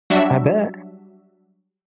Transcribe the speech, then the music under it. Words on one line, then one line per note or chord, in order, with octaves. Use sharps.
I bet.
F#3 G3 D4 F#4 E5